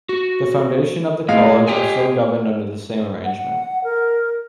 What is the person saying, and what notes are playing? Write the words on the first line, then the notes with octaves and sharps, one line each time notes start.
The foundation and the college are still governed under the same arrangement.
F#4
A2 G#3 F5
G4 G5 G#5
F#5
A#4